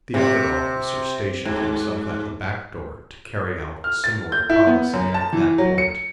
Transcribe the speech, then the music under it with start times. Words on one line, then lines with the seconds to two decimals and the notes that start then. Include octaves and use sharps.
The other officer stationed himself at the back door, to carry out a similar policy at that point.
0.14 C3
1.45 G#2
3.84 F6
4.04 A6
4.32 G6
4.50 E4
4.67 B3
4.93 F#2
5.14 A5
5.33 E3
5.58 F#3
5.78 C#7